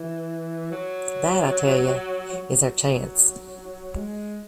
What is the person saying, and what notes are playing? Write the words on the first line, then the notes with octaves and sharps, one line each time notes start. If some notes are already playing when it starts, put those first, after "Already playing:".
That, I tell you, is our chance.
Already playing: E3
F#3
F#3
G#3